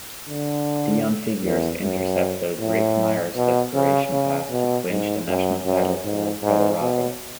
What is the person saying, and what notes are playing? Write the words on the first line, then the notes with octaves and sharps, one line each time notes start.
Deon Figures intercepted Rick Mirer's desperation pass to clinch the national title for Colorado.
D3
E2
F#2
A2
B2
C#3
C#3
B2
G#2
F#2
F#2
G#2
G#2
B2